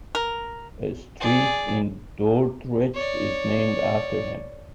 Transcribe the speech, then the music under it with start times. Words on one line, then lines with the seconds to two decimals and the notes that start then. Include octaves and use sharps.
A street in Dordrecht is named after him.
0.15 A#4
1.20 G#4 D5
2.95 C#5 D5